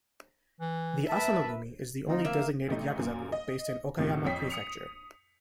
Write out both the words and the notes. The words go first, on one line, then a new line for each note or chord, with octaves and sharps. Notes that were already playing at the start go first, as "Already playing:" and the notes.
The Asano-gumi is the only designated yakuza group based in Okayama Prefecture.
E3
A#4 B4 E5 A5
D2 F3 C4 D#4 F4
A#3 E5 F5
A1 A3 D#4
F#2 A#2
D#5
C#2 A2 C3
F2 C#5 G5 B6 C7
D#6 C#7 F7